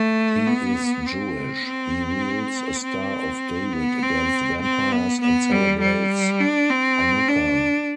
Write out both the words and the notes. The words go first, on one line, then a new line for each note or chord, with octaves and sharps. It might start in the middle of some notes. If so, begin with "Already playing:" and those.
He is Jewish, he wields a Star of David against vampires and celebrates Hanukkah.
Already playing: A3
B3
C4
C4
C4
B3
C4
C4
B3
B3
G3
G3
D4
C4
D4